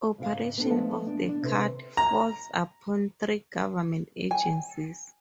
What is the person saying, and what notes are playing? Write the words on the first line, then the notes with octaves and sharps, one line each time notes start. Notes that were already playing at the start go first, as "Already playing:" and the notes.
Operation of the cut falls upon three government agencies.
G#2 C#3 F5
B3 D4 A4
F3 G#3 A3 B3 F#5 A5
D4
D4
C3 B4 C5
A#5
G#5